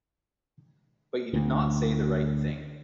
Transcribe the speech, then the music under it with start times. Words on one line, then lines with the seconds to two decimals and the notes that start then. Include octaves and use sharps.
But you did not say the right thing.
1.33 D2